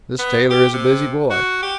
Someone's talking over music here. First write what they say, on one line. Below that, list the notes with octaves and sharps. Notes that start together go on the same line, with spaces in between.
This tailor is a busy boy.
B3
G4
C3
F#4
G4